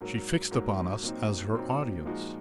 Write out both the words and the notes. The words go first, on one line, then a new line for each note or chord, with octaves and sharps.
She fixed upon us as her audience.
G#2 F#3 A#3
G#2 F#3 A#3
A#2 F#3 C4 D#4
A#2 F#3 C4 D#4
A#2 F3 G#3 D#4 F#4